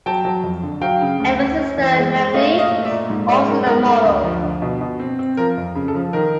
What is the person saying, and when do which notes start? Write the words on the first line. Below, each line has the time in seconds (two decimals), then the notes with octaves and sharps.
Emme's sister Melanie is also a model.
0.06 F#3 G5 A5
0.25 F#3
0.44 F2
0.63 D3
0.81 F#3 F5 G5
1.02 C#3
1.20 D2
1.39 D2
1.59 C#4
1.77 E3
1.96 G#3
2.15 G#3
2.34 A3 D#5 F5
2.52 A#2
2.59 D#5 F5
2.72 A3
2.85 D5 E5
2.91 A#2
3.10 G#2
3.28 G#3 D5 E5
3.48 G#2 A#4
3.66 G#2 A#4
3.86 A3 A#4
4.05 D2
4.24 F3
4.43 D3
4.62 B2
4.81 B2
5.00 C4
5.19 C4
5.37 F3 A#4
5.57 F2
5.75 C#3
5.88 A4
5.95 F3
6.13 D#3 A#4